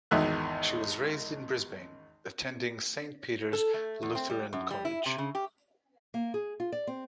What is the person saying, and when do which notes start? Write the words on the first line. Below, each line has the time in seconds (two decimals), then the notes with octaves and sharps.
She was raised in Brisbane, attending Saint Peter's Lutheran College.
0.11 G#1 E2 D#3 E5 F#6
3.53 A4
3.74 A3
4.03 E2
4.15 C4
4.30 G3
4.53 F#2
4.71 G3
4.85 E4
5.06 C3
5.18 C#3
5.35 G4
6.14 A#3
6.34 G#4
6.60 F4
6.72 D5
6.87 C4